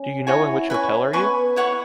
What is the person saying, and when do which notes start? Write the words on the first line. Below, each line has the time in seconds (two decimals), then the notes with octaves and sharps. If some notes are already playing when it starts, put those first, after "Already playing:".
Do you know in which hotel are you?
Already playing: C#4
0.26 E4 F#4 C#5 G#5
0.70 C#4 B4 G#5 C#6
1.13 B3 B4 G#5 C#6
1.56 E4 C#5 F#5 C#6